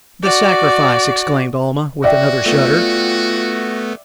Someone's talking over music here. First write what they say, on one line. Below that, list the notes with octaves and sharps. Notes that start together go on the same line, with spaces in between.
"The sacrifice!" exclaimed Almah, with another shudder.
F#4 D5
F#4 D5 E5 G5
A3 B3 F4